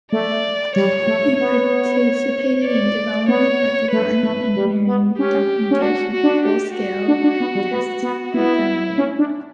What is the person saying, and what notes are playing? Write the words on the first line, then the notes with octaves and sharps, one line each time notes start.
He participated in development of design and engineering documentation, full-scale tests of the Mir.
A3 D5
G3 C#5
A3
B3 C#5
D5
B3 C#5
A3 B4
A3
G3
B3
C#4 G4
C#4
D4 F#4
F#4
D4
G4
F#4
D4
D4
B3
G3
B3
B3
B3 E4
C#4
D4